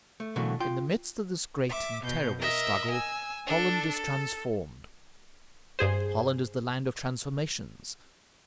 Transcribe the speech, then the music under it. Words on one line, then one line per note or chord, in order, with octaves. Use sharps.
In the midst of this great and terrible struggle Holland is transformed: Holland is the land of transformations.
A3
B2 D3 E3 F#3 A3 A#3
F4 G5
E5 D6
B2 G6
A#4 D#5 E5 E6
G#5 E6
D4 A4
A4
G2 G#4 C5